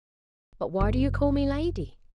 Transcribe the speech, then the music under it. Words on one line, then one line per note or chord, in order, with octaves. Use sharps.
But why do you call me 'Lady'?
F#1